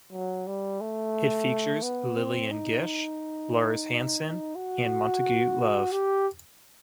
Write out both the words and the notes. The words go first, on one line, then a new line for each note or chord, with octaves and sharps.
It features Lillian Gish, Lars Hanson and Montagu Love.
F#3
G3
A3
B3
C4
D#4
F#4
G4